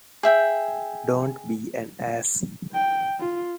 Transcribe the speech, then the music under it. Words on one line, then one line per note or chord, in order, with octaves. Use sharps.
Don't be an ass.
G#4 E5 G5
G5
F4